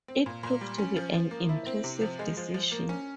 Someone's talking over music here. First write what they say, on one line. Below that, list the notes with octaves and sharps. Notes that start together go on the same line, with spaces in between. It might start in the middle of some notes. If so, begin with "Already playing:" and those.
It proved to be an impressive decision.
C4
A#2
A#2
G3
C#4
F3
F3
A#3
E4
C4
C3
F3
G#3
F3
F3
A#3
C#4